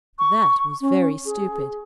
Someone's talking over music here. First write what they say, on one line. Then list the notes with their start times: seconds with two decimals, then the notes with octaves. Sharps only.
'That was very stupid.
0.19 C#6
0.81 C#4
1.25 G#4